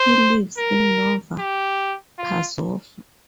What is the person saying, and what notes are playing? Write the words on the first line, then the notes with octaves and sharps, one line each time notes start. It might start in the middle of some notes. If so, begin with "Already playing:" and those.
He lives in Nova Pazova.
Already playing: C5
A#4
G4
F4